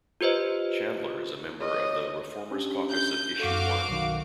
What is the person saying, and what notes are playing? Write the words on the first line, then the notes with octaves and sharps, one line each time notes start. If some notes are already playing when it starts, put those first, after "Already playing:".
Chandler is a member of the ReFormers Caucus of Issue One.
F4 G4 B4 C5 D#5
C#5 D#5
C#4 D4 G4
G6
F#2 F#4 A4 F5 D6
B1 D#3